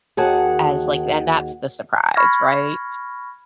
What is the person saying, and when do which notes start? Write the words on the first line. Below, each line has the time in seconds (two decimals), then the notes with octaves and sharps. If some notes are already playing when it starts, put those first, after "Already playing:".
a uh, as like and that's the surprise, right?
0.17 D#2 D#3 F#4 G#4 F#5 A5
2.16 B5 C#6 F6 G#6 A#6